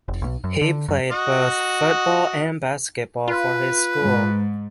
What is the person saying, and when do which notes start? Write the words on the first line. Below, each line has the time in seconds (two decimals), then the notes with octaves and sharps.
He played both football and basketball for his school.
0.08 F1
0.22 B1
0.44 F#2
0.61 D3
0.88 F#2
1.11 F#4 D#5
3.28 F4 B4
3.97 G#2